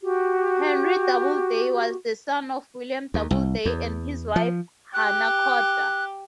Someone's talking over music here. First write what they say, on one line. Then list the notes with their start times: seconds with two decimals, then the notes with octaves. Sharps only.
Henry Doubleday was the son of William Doubleday and his wife Hannah Corder.
0.01 F#4 G4
3.14 D#2
3.31 C2
3.65 E2
4.36 F3
4.94 G4 F#6